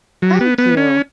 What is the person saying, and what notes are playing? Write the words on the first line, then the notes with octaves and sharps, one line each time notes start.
Thank you!
F#3
B3
B3
C#4